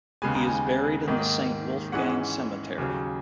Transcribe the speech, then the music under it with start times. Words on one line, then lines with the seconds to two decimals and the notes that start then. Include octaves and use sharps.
He is buried in the Saint Wolfgang cemetery.
0.22 D#2 C#3 G#3 B3 G#5
0.34 A#5
0.47 G#5
1.07 G#2 D#3 A#3 D#4
1.92 G#2 E3 G#3 C#4 F#5
2.78 D#2 C#3 F#3